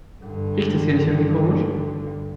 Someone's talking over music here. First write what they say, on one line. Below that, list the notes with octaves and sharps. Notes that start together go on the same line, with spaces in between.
Riecht es hier nicht irgendwie komisch?
G2 D3